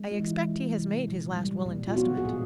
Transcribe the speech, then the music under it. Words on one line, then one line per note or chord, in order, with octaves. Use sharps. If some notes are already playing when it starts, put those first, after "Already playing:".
"I expect he has made his last will and testament."
Already playing: G#3
F4
E3 E4
E3
C3
A#2
G3
A#2
F4
B3 F#4
G#4
A#2